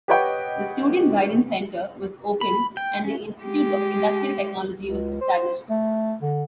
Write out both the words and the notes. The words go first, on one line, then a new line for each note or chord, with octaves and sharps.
The Student Guidance Center was opened and the Institute of Industrial Technology was established.
G4 B4 C#5 D#5 F#5 G5
B5
G5
C#4
G#3 G4
C#2
C5
A3
D3